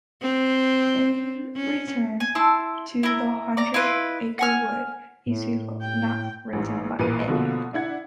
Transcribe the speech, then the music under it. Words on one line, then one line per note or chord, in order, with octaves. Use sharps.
In "Return to the Hundred Acre Wood", a sequel not written by A.
C4
C#4
G#5
E4 A5 C6 E6
E4 A#4
D5 A#5
E4 F4 B4 D#5
F#5 G#5 F6
A2
G5
A1 G#2
A1 A#2 A#4 B4 D#7
B2 D3 F3 A#3
D4 E4 F#5 G#6